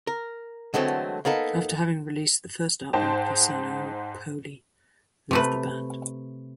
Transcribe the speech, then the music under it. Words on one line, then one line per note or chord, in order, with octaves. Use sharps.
After having released the first album, Fasano and Poley left the band.
A#4
D3 E3 F#3 G#3 A3 C4
A#3 B3 D#4 A4
G#2 D#4 C5 G5 A5
C3 A3 B4